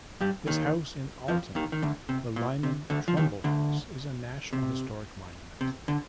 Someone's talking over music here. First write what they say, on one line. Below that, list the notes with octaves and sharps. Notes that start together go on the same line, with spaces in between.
His house in Alton, the Lyman Trumbull House, is a National Historic Monument.
G2 G3
D#2 D#3
F2 F3
D#2 D#3
D#3
D2 D3
C3
A#2
C3
D2 D3
F3
D#2 D#3
D2 D3
C3
C3
D3